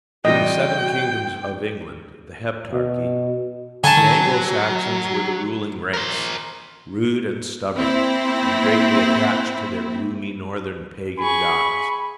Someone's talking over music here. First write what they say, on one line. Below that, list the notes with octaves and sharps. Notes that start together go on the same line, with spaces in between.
In the seven kingdoms of England--the Heptarchy--the Anglo-Saxons were the ruling race, rude and stubborn, and greatly attached to their gloomy northern pagan gods.
E2 C3 G3 F#4 D#5 G5
B2
D3 F#3 G#5 A5
D#3
A#4 C5
A#3 C4 E4
G#4 B5 C#6